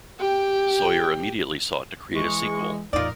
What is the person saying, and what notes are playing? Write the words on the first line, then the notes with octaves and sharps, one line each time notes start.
Sawyer immediately sought to create a sequel.
G4 G5
E3 G#3 C#6
E2 A2 D#4 F4 A#4 D5